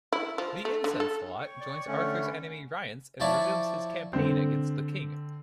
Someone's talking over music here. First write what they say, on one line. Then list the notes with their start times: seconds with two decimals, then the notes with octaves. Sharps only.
The incensed Lot joins Arthur's enemy Rience and resumes his campaign against the king.
0.13 E4
0.38 F3
0.65 A3
0.84 D3
1.00 A4
1.40 C#5 G5 C#6
1.60 D5
1.87 D3 A3 C#4
2.21 E4 F#5
3.20 F3 E4 C#5 D5 A5 C#6
4.13 D3 C4